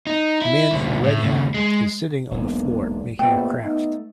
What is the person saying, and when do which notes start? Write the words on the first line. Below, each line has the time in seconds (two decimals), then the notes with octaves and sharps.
A man in a red hat is sitting on the floor making a craft.
0.07 D#4
0.42 E4
0.71 C2 D3
1.04 A2
1.23 D#2 C#3
1.54 G#3
2.31 E1 B1 A#3 D4
3.19 A#1 B2 A3 G5
3.62 B3 D#4